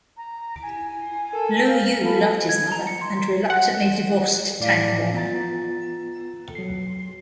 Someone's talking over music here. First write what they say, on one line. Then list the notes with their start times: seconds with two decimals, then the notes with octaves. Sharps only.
Lu You loved his mother and reluctantly divorced Tang Wan.
0.17 A#5
0.63 G#5
1.34 A4 A#4
1.68 F5
2.01 A4 F5 B5
2.49 G#6
2.72 A#5
2.87 C#7
3.01 C6
3.17 C6
3.50 F#5
4.60 A2 D5 F5
5.14 B3 F4 A#5 A6
6.55 F#3 C7